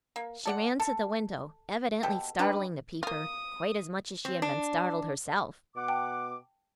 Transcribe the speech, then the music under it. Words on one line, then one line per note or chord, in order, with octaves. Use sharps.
She ran to the window, evidently startling the peeper quite as much as she had been startled herself.
A#3
A4 D5 F#5
A4
B2 G4 A4
D4 D#4 G4 B4
A#3 F4 D#6
C4
D4
B2 F#5 D6
G5 A5